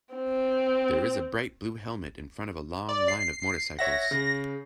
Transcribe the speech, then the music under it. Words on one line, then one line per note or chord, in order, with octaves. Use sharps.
There is a bright blue helmet in front of a long line of motorcycles.
C4
D5
C7
C#5 E5 F#5 A#6
C#3